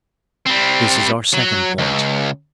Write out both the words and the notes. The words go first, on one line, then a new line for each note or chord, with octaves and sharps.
This is our second point.
G3 C4
F#3
C#2